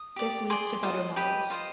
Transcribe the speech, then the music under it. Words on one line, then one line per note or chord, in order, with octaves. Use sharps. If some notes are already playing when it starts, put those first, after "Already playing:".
This leads to better models.
Already playing: D#6
G4 D5
G#4 D5 C6
F4 C5 D#5
G4 B4 D#5
F4 C5 D#5